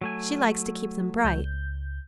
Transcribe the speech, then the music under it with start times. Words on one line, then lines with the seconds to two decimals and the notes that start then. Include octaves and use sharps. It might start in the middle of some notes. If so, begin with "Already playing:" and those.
She likes to keep them bright.
0.01 F#3 A3 G#5
1.24 C#2 G6